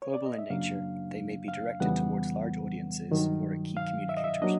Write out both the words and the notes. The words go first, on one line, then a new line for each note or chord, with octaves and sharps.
Global in nature, they may be directed toward large audiences or at key communicators.
C#5
D5
D#5
E5
F#2 C#3 F#3 A#3 D4 F5
F5
F2 C#3 E3 G3 B3 F#5
G2 D#3 F#3
F5
E5
D#5
E5
F#3 A#3 D4 D#5